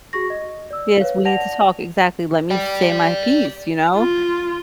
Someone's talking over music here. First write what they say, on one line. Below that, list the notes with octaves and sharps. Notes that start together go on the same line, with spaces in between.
Yes, we need to talk exactly, "Let me say my piece," you know.
F#4 G#4 C#6 A#6
D#5
D5 E6
B4 C#5 F5
D5 F#5 A5 A#6 F7
D5 G5
F4